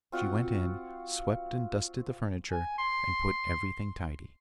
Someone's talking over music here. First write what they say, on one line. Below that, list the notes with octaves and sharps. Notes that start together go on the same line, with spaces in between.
She went in, swept and dusted the furniture, and put everything tidy.
C4 F4 F#4 F#5
G#5
C6